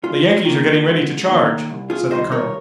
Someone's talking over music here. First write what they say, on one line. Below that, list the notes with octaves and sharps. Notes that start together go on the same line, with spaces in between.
"The Yankees are getting ready to charge," said the colonel.
G#2 F4
D#3 A#3
G#2
D#3 A#3
C2
F4 G#4
C3 D#3 G3 C5 D#5
A#4 C#5